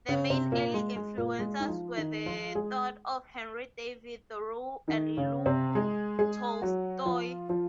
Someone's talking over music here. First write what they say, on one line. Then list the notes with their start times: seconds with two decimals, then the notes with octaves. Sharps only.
The main early influences were the thought of Henry David Thoreau and Leo Tolstoy.
0.08 C#3 C#4
0.30 C3 C4
0.52 A#2 A#3
0.74 G#3
0.96 G#3
1.17 A#2 A#3
1.39 G#3 G#4
1.60 D#4
1.68 F3 F4
1.97 D#3 D#4
2.26 F3 F4
2.55 G#3 G#4
4.88 D#3 D#4
5.17 C#3 C#4
5.46 C3 C4
5.75 G#3 G#4
6.19 G#3 G#4
6.62 F#3 F#4
7.06 F3 F4
7.49 F3 F4